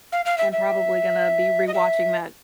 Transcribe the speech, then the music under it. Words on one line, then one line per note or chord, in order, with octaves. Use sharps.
am probably gonna be rewatching that
F5
F5
E5
E5
D#5
E5